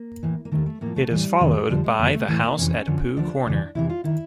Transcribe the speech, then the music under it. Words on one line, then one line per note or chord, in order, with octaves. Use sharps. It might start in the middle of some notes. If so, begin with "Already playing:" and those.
It is followed by "The House at Pooh Corner".
Already playing: A#3
A2 E3
A#3
D#2 D#3 A3
A3
A2 F3 A#3
A3
A2 E3 G3
F2 C3 D#3
F2 D3 F3 G3
G#3
F#2 D3 F3 A#3
A3
A2 E3 A3
A#3
F2 C3 E3 C#4
F#2 D3 F3
D2 D3 F3 D4
F2 C#3 E3
E2 C3 E3 E4
F4
D#3 E4